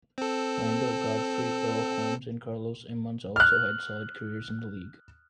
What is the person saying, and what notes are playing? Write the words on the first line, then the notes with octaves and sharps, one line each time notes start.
Randall Godfrey, Earl Holmes, and Carlos Emmons also had solid careers in the league.
C4 A4
F6 F#6